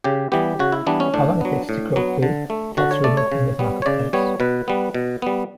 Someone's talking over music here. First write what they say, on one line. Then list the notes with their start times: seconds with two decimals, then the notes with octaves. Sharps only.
How long it takes to grow food - that's removed in the marketplace.
0.04 C#3 G4
0.32 E3 G3 B3 G4
0.59 C#3 F#4
0.72 E4
0.87 E3 G3 B3 D4
1.00 C#4
1.14 A2 D4
1.41 F#3 B3
1.69 A2
1.96 F#3 B3
2.23 D3
2.50 A3
2.77 D3 F#4
2.91 C#5
3.04 A3 D5
3.17 C#5
3.32 C#3
3.59 G3 B3
3.82 C#5
3.86 C#3 D5
4.13 G3 B3 C#5
4.40 B2 B4
4.68 G3 B3
4.94 B2
5.22 G3 B3